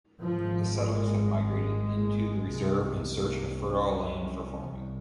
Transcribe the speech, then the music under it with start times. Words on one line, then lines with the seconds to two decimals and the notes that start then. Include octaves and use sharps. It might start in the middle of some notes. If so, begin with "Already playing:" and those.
The settlers had migrated into the reserve in search of fertile land for farming.
0.24 G#1 G#2 F3
0.79 G#3
2.47 C2 C3
3.03 A#3
3.59 C#4
4.70 C2